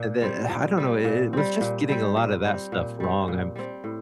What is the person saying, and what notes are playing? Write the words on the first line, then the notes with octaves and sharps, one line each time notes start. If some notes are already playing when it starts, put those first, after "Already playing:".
and then uh, I don't know, it it was just getting a lot of that stuff wrong, um,
Already playing: A#2
G3 C4
A#2
G3 C4
A#2
G3 C4
A#2
G3 C4
A#2
G3 C4
A#2
G3 C4
A#2
G3 C4
A2